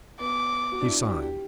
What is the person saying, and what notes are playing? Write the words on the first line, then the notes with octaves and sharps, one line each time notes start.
He signed.
B3 D6
F#4
D4
E4
E4
G4
G4